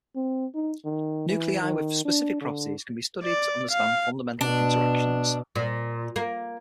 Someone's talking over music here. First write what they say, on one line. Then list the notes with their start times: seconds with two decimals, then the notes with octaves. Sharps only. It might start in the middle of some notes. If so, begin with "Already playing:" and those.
Nuclei with specific properties can be studied to understand fundamental interactions.
0.16 C4
0.55 D#4
0.85 D#3
1.28 E3
1.62 D#3
2.05 D4
2.41 D3
3.24 D5
3.71 F5
4.41 B2 D4
5.56 A#2
6.16 A#3